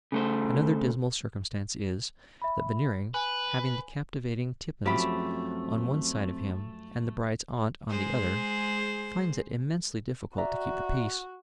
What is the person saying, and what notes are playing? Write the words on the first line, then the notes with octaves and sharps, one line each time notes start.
Another dismal circumstance is, that Veneering, having the captivating Tippins on one side of him and the bride's aunt on the other, finds it immensely difficult to keep the peace.
C#3 A3 C5
E5 B5
B4 G#5
F#2 F3 F#3 A3 C4 G4 E5 B5
G#3 G#4 C5
F#4 D5 E5 A#5